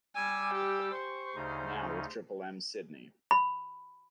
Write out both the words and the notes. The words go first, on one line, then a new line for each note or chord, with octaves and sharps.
Now with Triple M Sydney.
G3 G#5 D6 E6
G4
C5 C#6
D2 C#3 D#4
B5